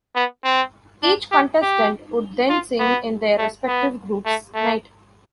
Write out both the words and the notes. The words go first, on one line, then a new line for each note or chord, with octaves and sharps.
Each contestant would then sing in their respective group's night.
B3
C4
D4
G4
G4
F4
B3
A3
B3
A3
A3